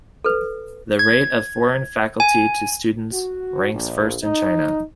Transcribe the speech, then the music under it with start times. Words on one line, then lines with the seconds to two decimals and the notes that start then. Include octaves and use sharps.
The rate of foreign faculty to students ranks first in China.
0.25 A4 B4
0.99 G#6
2.20 G#5
3.12 F#4
3.72 A#1
4.23 D#4